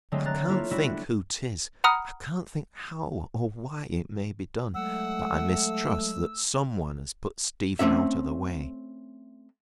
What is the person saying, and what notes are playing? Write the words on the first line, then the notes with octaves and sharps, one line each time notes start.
I can’t think who ’tis, I can’t think how or why it may be done, but I mistrust that some one has put Stephen out of the way.
D3 F#3 G#3 A3 C4
F#3 A#5 F#6 A6
A3 A#3 E4 F4 C#5
G3 A3 D4 E4 F#4
F#5 A#5 B5 D#6 F6
F#3 G#3 A3 F#5 E6
A3 C4 C#4 E5